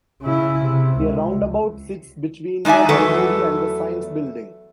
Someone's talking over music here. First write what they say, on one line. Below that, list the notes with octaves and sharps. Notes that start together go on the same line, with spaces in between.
A roundabout sits between the library and the science building.
C#3 E4
C3
C#2
G#3 D#4 D5 E5 G#5
E2 F#3 A3 A4 B4